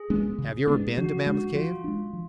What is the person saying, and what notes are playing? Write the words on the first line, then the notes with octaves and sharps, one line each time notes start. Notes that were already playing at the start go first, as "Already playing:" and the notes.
"Have you ever been to Mammoth Cave?"
Already playing: G#4
G#3 B3 D4
C#3
G#3 B3 D4
F3 F#4
G#3 D4
F#4
F3 F4
G#3 D4
F3